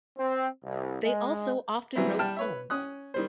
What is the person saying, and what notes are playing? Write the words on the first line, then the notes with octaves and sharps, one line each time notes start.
They also often wrote poems.
C4
C2
G#3
E3 F#3 G3 B3 C4 E4
G3 G5 A5 F6
B4 C#5 E5
C#4 D#6 F#6
D#3 G3 C5